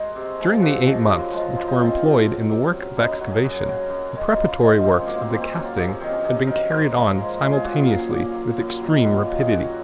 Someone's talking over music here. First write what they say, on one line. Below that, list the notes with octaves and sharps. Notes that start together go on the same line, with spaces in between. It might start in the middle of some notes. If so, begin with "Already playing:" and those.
During the eight months which were employed in the work of excavation the preparatory works of the casting had been carried on simultaneously with extreme rapidity.
Already playing: G#3 F#4 G#4 A#4 C5
C3
F3 G#3
C3 F#4
F3 G#3
F#2
F3 G#3
F#2 F4
D#4
F3 G#3 C4
C#4
C3
F#3
C3
F#3
F#2 D#4
D#4
C#3 F#3 F#4
G#4
F#2 F#4
C#3 F#3
F#2
D#3 G#3
F#2 F4
D#3 G#3 D#4
G#2 C4
C#4
F#3 A#3
C4
G#2 A#3
C4
F#3 C#4
F4
C3 D#4
C#4
D#3 F#3 C4
C#4
C3 D#4
C#4
D#3 F#3 A#4
A#4
G#2
F3 G#3
G#2
F3 G#3
G#4
A#2 F#4
F4
F#3
C#4
A#2 A#3
F#3
F#2
D#3 F#3
F#2 F#4
F4
D#3 F#3
G#4
F#2 F#4